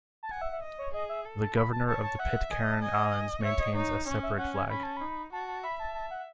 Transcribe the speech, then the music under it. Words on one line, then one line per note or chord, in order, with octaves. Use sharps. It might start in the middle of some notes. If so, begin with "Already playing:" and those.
The Governor of the Pitcairn Islands maintains a separate flag.
A5
F#5 G#5
E5
E5
D#5
C#5
G#4 D#5
E5
A4
A5
B5
A5
C#5 A5
A5
E5 F#5
D#5 G#5
A5
D#5 G#5
C#5 E5
D#5
D#4 C#5
C#4 C#5
E5
C#4 F#5
G#5
C#4 B5
A5
D#4 B5
F#4 A5
A5
E5 B5
A5
A5
F#5